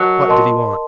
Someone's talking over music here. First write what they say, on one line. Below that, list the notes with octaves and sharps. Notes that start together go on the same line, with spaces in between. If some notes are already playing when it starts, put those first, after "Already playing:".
What did he want?
Already playing: F#3 A#4 D#5 A5
A#4 D#5 A5 C6